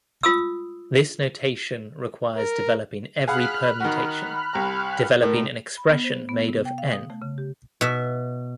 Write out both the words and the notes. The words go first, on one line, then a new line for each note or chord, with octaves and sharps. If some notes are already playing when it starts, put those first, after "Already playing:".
This notation requires developing every permutation, developing an expression made of "n"!
F4 D#6 E6
A#4
G#4 F5 F#5 B5 F6 F#6
D#3 F#4
C2 A#5
A2 A#4
B5
B3
C5
B3
C3
G5
F5
D#6
A3
C#3
G4
B2 E5